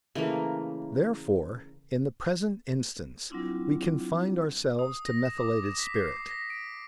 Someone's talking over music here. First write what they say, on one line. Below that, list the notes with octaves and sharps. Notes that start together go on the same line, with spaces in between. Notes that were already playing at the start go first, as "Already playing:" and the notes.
Therefore, in the present instance, we confined ourselves to methylated spirit.
C#3 E3 A3 A#3
F#3 G3 C4 D4 E4 F4
D#6
A#6
E7
D6
E7
B6
C7
D6
A#6
D7